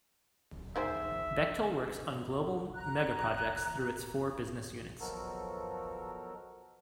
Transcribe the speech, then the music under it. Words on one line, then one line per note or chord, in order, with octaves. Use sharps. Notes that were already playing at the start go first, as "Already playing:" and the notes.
Bechtel works on global megaprojects through its four business units.
D#3 G#3 C5 E5
A#5 F#6
B2 F3 F#3 F#4 A4 A#4